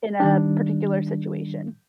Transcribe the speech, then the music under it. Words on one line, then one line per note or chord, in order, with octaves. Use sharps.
in a particular situation.
D#3 G3 D4